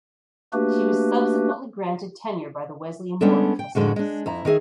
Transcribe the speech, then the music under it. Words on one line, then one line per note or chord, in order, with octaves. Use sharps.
She was subsequently granted tenure by the Wesleyan Board of Trustees.
A3 A#3 D4 F#4 G4 B4
G3 G#3 B3 C#4 D4 A4
G5
F2 A2 D3 G#3 F#4
G#3 D4
F2 E4 A#5
D#3 D#4 G#4 E5